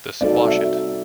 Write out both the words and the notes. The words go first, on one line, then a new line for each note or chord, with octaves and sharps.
The Squash It!
G3 C4 D#4 F#4 A4 D5
E5